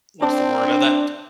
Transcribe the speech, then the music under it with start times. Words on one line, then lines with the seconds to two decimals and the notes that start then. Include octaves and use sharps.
What's the word uh, that
0.22 C4 D4